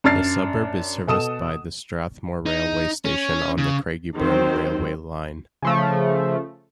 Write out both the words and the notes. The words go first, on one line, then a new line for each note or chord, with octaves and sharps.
The suburb is serviced by the Strathmore railway station on the Craigieburn railway line.
F#2 D4 D5 F6 A6 C7
B2 A4 D#6 E7
D#4
C#4
C#3
D#3 F#3 C4 C5
C#3 F3 A3